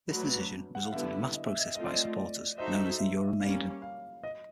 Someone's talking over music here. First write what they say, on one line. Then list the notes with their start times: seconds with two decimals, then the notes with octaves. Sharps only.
This decision resulted in mass protests by its supporters, known as the "Euromaidan".
0.09 F#3 A3 D4 F#4 B4
0.75 F#5
0.84 F5
0.92 D3 G3 B3 E4 E5
1.34 D#5
1.46 E5
1.59 D#5
1.75 A3 C4 F4 D#5
1.85 D5
1.94 D#5
2.17 D5
2.57 D#4 F#4 A4 C5 D#5 E5
2.99 E5
3.40 G3 A#3 C#4 F5
3.82 F5
4.23 D#5